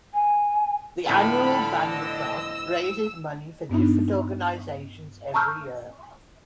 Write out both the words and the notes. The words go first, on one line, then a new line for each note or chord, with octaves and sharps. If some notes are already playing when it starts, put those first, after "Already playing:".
The annual Band-a-Thon raises money for different organizations every year.
G#5
A2 D3 F3 B3 A4 B5 F6
D#5 E6
G2 B3 D4 D#4
A5 A#5 C#6 E6 F6 G6